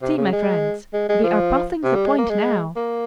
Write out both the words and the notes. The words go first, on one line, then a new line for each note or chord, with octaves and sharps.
See, my friends, we are passing the point now!
C3
C#3
G#3
G#3
G#3
F3
C3
G3
G#3
A#3
G#3
A#3